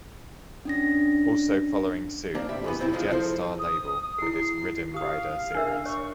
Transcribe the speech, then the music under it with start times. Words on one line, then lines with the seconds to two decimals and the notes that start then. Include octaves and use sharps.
Also following suit was the Jet Star label, with its "Riddim Rider" series.
0.65 C#4 D4 A#6
2.35 A#3 C4 D4
2.49 C2 G2 G4 E5
2.64 C2 E3 B3
2.79 G#2 C3 B3 C4 D#4 E4
2.93 D#3 F3 G#3
3.11 F3 E4 A4 C5
3.59 D#6
4.18 E4 G#4 C7
4.94 G4 F5 D#6
5.55 D4 A#4 E5
5.85 C#5 C#6